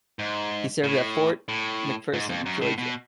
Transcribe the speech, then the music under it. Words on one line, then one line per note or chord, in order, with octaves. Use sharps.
He served at Fort McPherson, Georgia.
G#2
A2
A2
G#2
F2
F#2
A2
B2